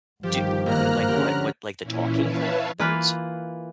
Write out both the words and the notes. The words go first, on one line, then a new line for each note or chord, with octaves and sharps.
do y w like, what what like, the talking kinda birds?
G1 D#3 F3 G4
G#1 A#3 A#5 F6 F#6
D3 C#4 G4 A#4
A#2 E3 C#4 E4
B4 C#5 E5 F5 A5
E3 A#3 F4 B4